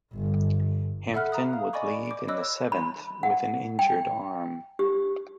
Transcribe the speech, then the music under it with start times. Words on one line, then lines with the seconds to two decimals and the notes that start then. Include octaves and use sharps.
Hampton would leave in the seventh with an injured arm.
0.14 G1
1.14 A4 E5 F#5 B5 F6 F#6
1.32 A#5 D#6
1.53 F5
1.73 D5 D#5 G#5 B5 C#6 D6
2.06 D6 D7
2.28 C#5 D#5 B5 D6 E6 F#6
2.72 B5
3.23 F#5
3.79 G5
4.79 G4